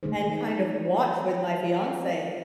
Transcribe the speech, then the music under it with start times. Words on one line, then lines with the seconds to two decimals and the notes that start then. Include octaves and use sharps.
and kind of watch with my fiance
0.03 D#3 G#3 A3 D#4 G#4 C5